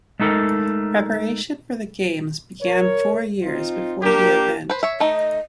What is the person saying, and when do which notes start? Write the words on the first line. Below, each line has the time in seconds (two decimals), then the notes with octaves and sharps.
Preparation for the games began four years before the event.
0.20 G#3 A3 D#4 A4 A#4
2.61 A#4 C#5
3.42 C4 D#4 F4
4.03 A#3 D4 G4 A#4
4.70 B4 C5
4.83 C#5 E5
5.00 A3 D#4 D#5